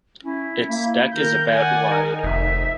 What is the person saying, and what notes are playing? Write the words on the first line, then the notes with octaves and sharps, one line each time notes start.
Its deck is about wide.
C#4 E4
A#3
D#3 A#4 G6
D5 F#5 G#5
D#4 A#4 D#5
F1 E5